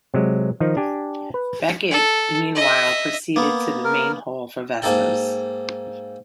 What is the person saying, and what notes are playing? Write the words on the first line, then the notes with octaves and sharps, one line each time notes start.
Becket, meanwhile, proceeded to the main hall for vespers.
C3 F#3 G#3
D#3 F3 D#4
D4 G4 G#5
B4
A4
D#5 E5
A#3 B3
A#4
G#2 A#3 D#4 A4 G5